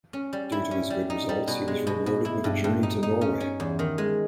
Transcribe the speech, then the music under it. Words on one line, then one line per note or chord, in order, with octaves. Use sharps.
Due to his good results, he was rewarded with a journey to Norway.
C#4
G3
E4
C#4
G3
D#4
G3
B2
G#3
B2
B2
E4
G2
G2
D#4
D#4
C#4
C#4
E2
D#3
G#3